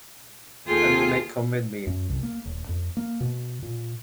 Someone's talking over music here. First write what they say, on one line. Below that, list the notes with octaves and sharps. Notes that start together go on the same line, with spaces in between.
And you may come with me.
D#2 F4 G#4 A4 G5
F#2
C2
A#3
D#1
F2
A#3
B2
A#2